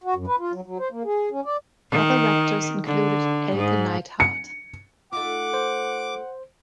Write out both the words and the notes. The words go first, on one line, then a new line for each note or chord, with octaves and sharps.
Other actors included Elke Neidhardt.
F#4
F#2
B4
F4
F#3
F#3
C5
A#3
G#4
C#4
D5
D#3
D3
G#2
C#7
A3 D#4 F4 F#5 D6
C5